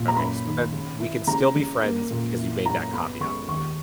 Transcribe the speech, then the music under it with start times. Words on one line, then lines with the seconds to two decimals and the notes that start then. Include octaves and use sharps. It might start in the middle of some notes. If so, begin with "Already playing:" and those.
Okay, so then, we can still be friends because you made that caveat.
Already playing: A#2
0.08 A#5
0.17 F#2 B5
0.45 D#3
0.73 C#3
1.00 E4
1.27 C#3 A#5
1.56 C#3
1.83 A#3
2.10 A#2
2.38 E4
2.66 F#2 A#5
2.93 B3 B5
3.20 C#2 C#6
3.48 D#2 C#6